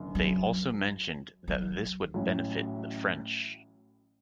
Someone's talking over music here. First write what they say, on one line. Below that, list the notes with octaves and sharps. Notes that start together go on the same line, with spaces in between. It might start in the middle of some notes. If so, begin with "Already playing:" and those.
They also mentioned that this would benefit the French.
Already playing: F#1 F#2 D3
F#3
F#3
A1 A2 F#3 C#4